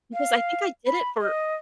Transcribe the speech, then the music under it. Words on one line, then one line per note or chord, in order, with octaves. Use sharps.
Because I think I did it for
F5
B5
D#5